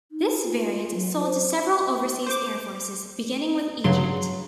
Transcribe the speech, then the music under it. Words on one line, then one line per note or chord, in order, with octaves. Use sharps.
This variant sold to several overseas air forces beginning with Egypt.
D#4
F4
F#3
C5
C5 D6
G2 C#3 F#3 C6